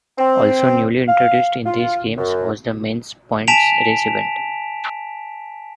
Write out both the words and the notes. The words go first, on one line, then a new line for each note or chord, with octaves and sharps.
Also newly introduced in these Games was the men's points race event.
C4
F5
F4
F#2
G#5 A5 B6 D7 E7 F7